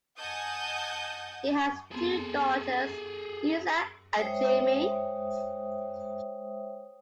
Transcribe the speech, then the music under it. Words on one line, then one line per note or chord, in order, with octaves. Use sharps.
He has two daughters, Lisa and Jamie.
D#5 F#5 G#5 A5 D#6 G6
F2 B3 C4 G#4 A4
G#3 C5 C#5 E5 G5 D#6